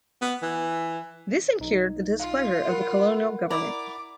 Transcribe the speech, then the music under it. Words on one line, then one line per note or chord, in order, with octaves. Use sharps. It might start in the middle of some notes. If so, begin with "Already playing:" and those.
This incurred the displeasure of the colonial government.
B3
E3
B1 D#4
F4 F5
A#4 F#5 B5
E4 D5 A#5 D6